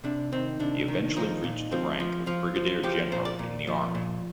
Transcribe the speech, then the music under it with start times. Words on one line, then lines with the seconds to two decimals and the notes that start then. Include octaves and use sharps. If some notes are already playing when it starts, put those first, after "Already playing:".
He eventually reached the rank of brigadier general in the army.
0.04 C3 D4
0.32 D#3 C4
0.60 C3 D4
0.88 D#3
1.16 F3 D#4
1.44 A#2
1.72 F3 C4
2.00 F3
2.27 F3 F4
2.56 F3
2.83 F3 G4
3.12 A#2 C5
3.25 D5
3.39 A#2
3.67 F3
3.95 A#2